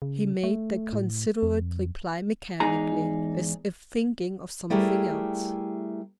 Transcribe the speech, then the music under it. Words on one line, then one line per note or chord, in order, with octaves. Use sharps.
He made that considerate reply mechanically, as if thinking of something else.
C#3
A3
A2
F2
E2 G#2 D#4 G#4 A#5
G3 A3 E4 G4 G#4 A#4